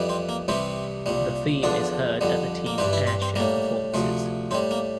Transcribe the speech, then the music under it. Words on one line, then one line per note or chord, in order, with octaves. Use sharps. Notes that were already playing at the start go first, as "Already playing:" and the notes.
The theme is heard at the team's airshow performances.
Already playing: F2 E3 G3
C4
A#3
C2 C3 E3 G3 C4
C2 A#2 G3
E2 D3 F3 D4
F2 D3 G3
A#3
G2 E3 G3 C4
E4
C4
C4
A2 G3 A#3
D2 C3 F3
A2 G3 C4
A#3